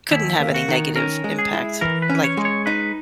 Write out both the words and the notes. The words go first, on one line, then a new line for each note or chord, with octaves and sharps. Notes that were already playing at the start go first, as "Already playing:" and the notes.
couldn't have any negative impact, like
D#2 E4
A#3
F#4
D#3
C#4 A#4
G#3
G#4
E4
E3 A#4
B4
C#4
C#5
G#3
C#5
D#4 B4